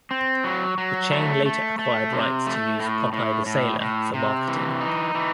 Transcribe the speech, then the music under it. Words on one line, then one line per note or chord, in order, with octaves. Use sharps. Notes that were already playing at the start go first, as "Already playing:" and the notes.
The chain later acquired rights to use "Popeye the Sailor" for marketing.
C4
F#3
F#3
A3
A3
A3
C3
A3
A2
A2
A2
A2
C3
E3
D#4
E3